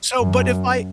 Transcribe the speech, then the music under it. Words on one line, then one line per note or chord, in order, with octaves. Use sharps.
So, but if I
F#2